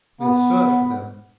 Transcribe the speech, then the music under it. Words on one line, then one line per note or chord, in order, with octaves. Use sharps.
We'll search for them.
B3